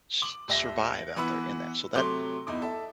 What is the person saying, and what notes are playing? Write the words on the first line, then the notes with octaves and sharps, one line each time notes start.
s survive out there in that?" So that,
D6 F#7
D#1 E5 A#6 G7
E3 B3 E4 F#5 B5 E6
C3 F#3 A3 C6 D6 G7
E2 D#4 E4 D6
A4 E5 A5